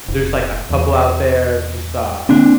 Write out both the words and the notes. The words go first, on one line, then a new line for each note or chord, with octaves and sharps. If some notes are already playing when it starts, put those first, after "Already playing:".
There's, like, a couple out there, just, uh,
F1
E2
D3 A#3 C4 D4